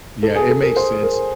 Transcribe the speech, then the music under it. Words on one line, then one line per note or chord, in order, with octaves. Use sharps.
Yeah, it makes sense.
A4
G#4
A4
A#4
C5
A#4